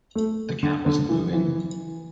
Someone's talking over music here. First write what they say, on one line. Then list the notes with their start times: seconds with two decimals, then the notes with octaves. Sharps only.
The cat wasn’t moving.
0.15 A3
0.63 D3
0.86 D3
1.09 E3
1.33 E3